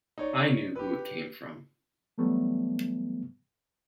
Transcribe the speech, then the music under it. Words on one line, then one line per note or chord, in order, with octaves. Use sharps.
I knew who it came from.
D#4 C#5 D5
G4 B4
E3 F#3 G3 A3 B3